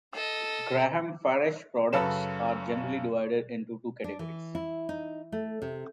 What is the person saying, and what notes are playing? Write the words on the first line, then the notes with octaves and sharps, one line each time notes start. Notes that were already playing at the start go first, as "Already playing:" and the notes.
Graham Farish products are generally divided into two categories.
A4 D#5
F#2 C#3 A4 B4 E7
D4
E3
E4
D#4
A3
C3